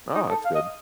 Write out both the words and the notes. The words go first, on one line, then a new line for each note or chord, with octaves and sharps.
Oh, that's good.
D#4
A4
F5
D#5